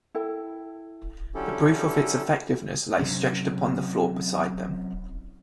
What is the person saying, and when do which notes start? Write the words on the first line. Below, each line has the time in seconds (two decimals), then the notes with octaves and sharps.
The proof of its effectiveness lay stretched upon the floor beside them.
0.15 E4 A4 G5
1.35 D3 F#3 C#4 E4 G4 A4
2.99 C3 F#3 C4 C#4